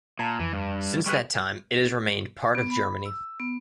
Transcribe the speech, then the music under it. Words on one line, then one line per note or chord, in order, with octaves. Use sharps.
Since that time it has remained part of Germany.
A#2 A5 A#5 G#6
F2 E3
G2
G3 G#4 B4 C#6 F6 F#6
B3
B5
E6
B3